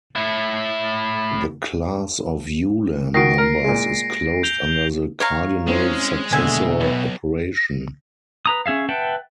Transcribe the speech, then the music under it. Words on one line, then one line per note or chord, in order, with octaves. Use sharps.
The class of Ulam numbers is closed under the cardinal successor operation.
A2 E4
D#3 F#4 A#6 C7 D7
A#4
A#2 G#3
G6 F7 G7
C#5 F5 A#5
G#3 C4 C#4 E4 C5
D#2 B2 D3 E5 G#5
B1 B4
B4 A#5 D#6
C#4 G#4 E5 F5
B4 E5 F#5 G5 A5